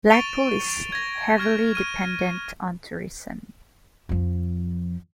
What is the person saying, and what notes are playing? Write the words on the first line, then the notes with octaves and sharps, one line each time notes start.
Blackpool is heavily dependent on tourism.
C#6 A6 D7 D#7 F7 G7
G#6 A#6
C#6 F6 G#6
F6 D#7
F2 F3